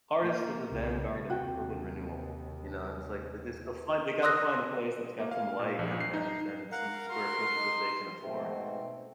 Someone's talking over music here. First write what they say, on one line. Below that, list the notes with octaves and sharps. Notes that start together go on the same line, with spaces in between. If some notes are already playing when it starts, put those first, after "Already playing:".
artists are the vanguard of urban renewal. You know? And it's like, this they'll find they gotta find a place that's got some light and and and some square footage that they can afford,
A#3
C2 C#3
D#2 C3 F#4 G5
C6 D#6 E6 F#6 A#6
A#3
F5
A#2
A#1
C7
D#4
A#4 F5 F#5
F#4 A#4 C6
D#4
G#2 B2 A3 C4